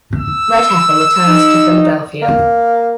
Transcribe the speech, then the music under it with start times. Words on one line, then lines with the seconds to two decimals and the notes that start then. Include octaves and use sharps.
Redheffer returned to Philadelphia.
0.16 E6
1.27 D#4
2.22 A#3